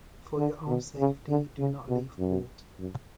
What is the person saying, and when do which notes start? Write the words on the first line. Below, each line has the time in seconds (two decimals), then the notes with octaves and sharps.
For your own safety do not leave port.
0.38 D3
0.67 B2
0.99 C#3
1.29 D3
1.59 C#3
1.88 B2
2.19 F#2
2.79 F#2